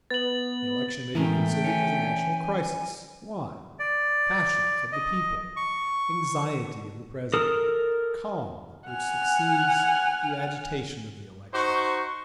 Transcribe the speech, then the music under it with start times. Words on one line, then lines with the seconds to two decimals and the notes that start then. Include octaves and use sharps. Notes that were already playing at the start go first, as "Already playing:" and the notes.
The Election may be considered as a national crisis--Why?--Passions of the people--Anxiety of the President--Calm which succeeds the agitation of the election.
0.10 B3 A6 F#7
1.15 A2 E3 G#3 A3 C#4 A#4 G5
1.64 C#4 G#5
3.79 D5
4.92 D#5
5.57 C#6
7.34 A4 A#4 D#6
8.88 F#5 G#5 F6
11.54 D#4 F#4 C5 C#6